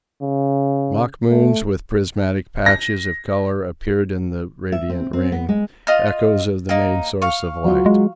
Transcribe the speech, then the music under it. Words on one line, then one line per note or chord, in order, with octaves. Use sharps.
Mock moons with prismatic patches of colour appeared in the radiant ring, echoes of the main source of light.
C#3
A3
A#6
E5
C4
C4
B3
G#3
F4 D#5 F6
A#3 D#4
F5 C#6
F#3 F4
G#3